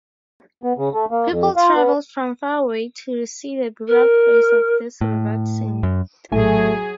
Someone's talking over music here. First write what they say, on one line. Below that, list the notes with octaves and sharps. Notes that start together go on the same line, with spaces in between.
People travelled from far away to see the burial place of this revered saint.
B3
C#3
A3
A#3
F2
F4
B3
A#4
A2
F#2
A#1 A2 F#3 A3 G#4 G#5